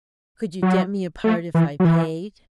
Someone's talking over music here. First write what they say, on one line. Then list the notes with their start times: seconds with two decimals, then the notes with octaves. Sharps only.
"Could you get me a part if I paid?"
0.63 F#3
1.24 A3
1.55 E3
1.80 F#3
1.85 E3